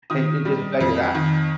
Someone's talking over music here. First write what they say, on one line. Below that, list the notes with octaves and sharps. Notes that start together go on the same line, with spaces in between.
and and just the fact that I
D#3 D#6
G3
F2
D#3